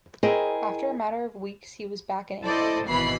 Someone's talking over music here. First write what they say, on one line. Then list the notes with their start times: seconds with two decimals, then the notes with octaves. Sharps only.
After a matter of weeks he was back in England.
0.23 E4 G#4 A#4 C5 D#5 G5
2.44 E4 A4 C5 D5 D#5
2.87 G#1 B2 E3 B5 C7